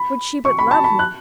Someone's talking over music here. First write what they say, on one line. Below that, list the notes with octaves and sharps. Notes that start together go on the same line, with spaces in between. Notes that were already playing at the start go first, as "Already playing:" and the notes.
Would she but love me!
Already playing: B5
C#6
B5
A5
B5
F#6